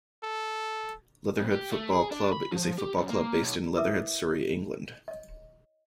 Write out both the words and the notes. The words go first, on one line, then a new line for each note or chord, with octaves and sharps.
Leatherhead Football Club is a football club based in Leatherhead, Surrey, England.
A4
F2
G4
A3
G#4
D4
B5
F3
G4
F#2
A#3
B1
E4 A#4 B4 E5 D6 D#6
C#5 D#5